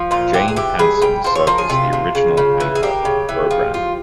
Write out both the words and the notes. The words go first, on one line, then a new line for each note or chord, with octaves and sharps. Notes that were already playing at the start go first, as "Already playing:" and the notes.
Jane Hanson served as the original anchor of the program.
Already playing: F3
A#2 F4
E3 G4
G#4
E3 G4
G3 G#4
G3 G5
F3 C5
C#5
F3 A#4
G#4
C3 F4
C3
C#3
C#3
E3
G#4
A#3 G4
C#3
E3
F3
F4